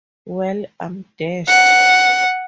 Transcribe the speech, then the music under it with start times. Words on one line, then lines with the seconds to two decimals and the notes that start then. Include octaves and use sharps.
Well, I'm dashed.
1.48 F#5